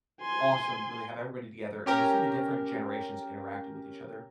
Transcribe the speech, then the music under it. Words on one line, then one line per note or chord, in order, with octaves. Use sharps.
awesome to really have everybody together and to see the different generations interacting with each other.
G#5 C6
C#4 G4 A#4